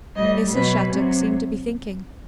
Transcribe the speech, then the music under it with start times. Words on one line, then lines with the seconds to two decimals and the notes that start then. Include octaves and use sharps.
Mrs. Shattuck seemed to be thinking.
0.15 A2 G3 D#5
0.53 B2 F#3 B4
0.91 C3 F#3